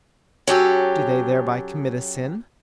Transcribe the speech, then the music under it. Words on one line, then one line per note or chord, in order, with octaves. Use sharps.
Do they thereby commit a sin?
F#3 C#4 G4 A4